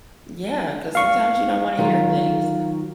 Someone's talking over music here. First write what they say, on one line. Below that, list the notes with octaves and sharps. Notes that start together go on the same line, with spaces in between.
Yeah, 'cause sometimes you don't wanna hear things.
E2 F5 C#6
D#3 F#3 F4